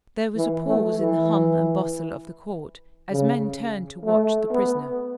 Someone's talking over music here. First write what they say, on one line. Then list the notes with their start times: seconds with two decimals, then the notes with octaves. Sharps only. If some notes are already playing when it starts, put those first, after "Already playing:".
There was a pause in the hum and bustle of the court as men turned to watch the prisoner.
0.36 E3
0.67 A3
0.97 E3
3.11 C#3
4.04 A3
4.50 B3